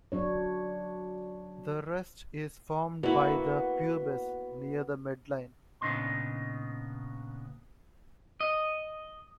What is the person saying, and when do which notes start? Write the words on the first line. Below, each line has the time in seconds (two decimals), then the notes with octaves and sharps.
The rest is formed by the pubis, near the midline.
0.12 F#3 D4 C#5
3.03 A#3 B3 E4 F#4
5.81 A#2 C#3 B3 D4 D#4 C6
8.41 D#5